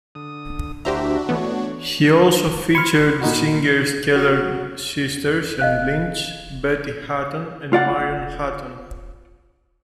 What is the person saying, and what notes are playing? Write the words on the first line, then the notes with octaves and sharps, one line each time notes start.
He also featured singers Keller Sisters and Lynch, Betty Hutton, and Marion Hutton.
D3 D#6
D2 D4 E4 F#4 G4 C5 E5 A#5
E3 A3 B3 C#5
B5 C6 F6 G#6 C#7
A#2 D#4 F#4
F#4
D#5 F5 F#6
F4 D5 F#5